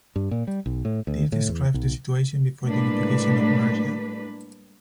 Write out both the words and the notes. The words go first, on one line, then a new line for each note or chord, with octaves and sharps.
This describes the situation before the unification of Mercia.
G2
A#2
G3
B1
A2
D2
A2
E2
B1
A2 G3 G#3 A#3 D4 B4